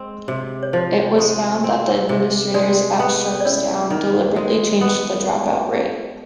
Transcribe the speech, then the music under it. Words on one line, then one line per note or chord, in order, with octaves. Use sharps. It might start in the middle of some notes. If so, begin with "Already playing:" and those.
It was found that the administrators at Sharpstown deliberately changed the dropout rate.
Already playing: G#3 C4
C3
C#5
F3 C5
G#3
C4
C3
G#3 D4 D5
B3
D5
C#4 E4 C#5
D#3
G#3
B3